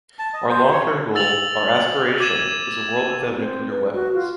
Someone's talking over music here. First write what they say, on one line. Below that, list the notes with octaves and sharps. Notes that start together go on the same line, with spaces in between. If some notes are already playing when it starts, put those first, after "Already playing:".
Our long-term goal, our aspiration, is a world without nuclear weapons.
A5
D#5
C5
C#5
E6 A6 F7 F#7
D6 G#6 D#7 E7
C4
B4
F#4
F4